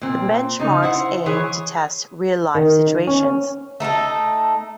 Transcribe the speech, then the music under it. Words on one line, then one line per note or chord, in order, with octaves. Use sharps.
The benchmarks aim to test "real-life" situations.
A#2 C4
C#3 D#4
E4 C5 F#5
E3 G#4 C#5
D#3
C#4
A3 D#4 F4 A4